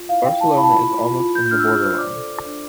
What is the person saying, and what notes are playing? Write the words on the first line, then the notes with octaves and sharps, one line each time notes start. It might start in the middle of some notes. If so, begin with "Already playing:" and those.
Barcelona is almost in the border line.
Already playing: F4
E4 F5
E4 G5
E4 A5
E4 B5
A5
F4 B5
F4
F4
F4
F4 G6
G6
D4 F6
E6
F4 F6
C5 F6
D5 D6
A4
A4
D4